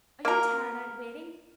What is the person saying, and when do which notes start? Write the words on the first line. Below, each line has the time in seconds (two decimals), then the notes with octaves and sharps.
Are you tired out waiting?
0.25 A#3 A#4